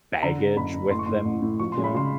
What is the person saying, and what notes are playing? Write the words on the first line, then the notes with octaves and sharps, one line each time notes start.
baggage with them, you know.
D3 A#5
D3
F#1 B5
F#1
A2 C6
C#6
A2 C6
A1
A2
F3 C#6
C6
G#3
B5
C#3 C6